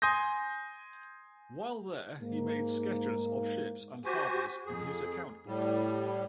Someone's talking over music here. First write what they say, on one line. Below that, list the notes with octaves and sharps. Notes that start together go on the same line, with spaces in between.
While there, he made sketches of ships and harbors in his account books.
G#5 C6 D#6 G6 A#6
G#2 A#3
F#4 G4 C5 G#5
F2 G#4
A2 G3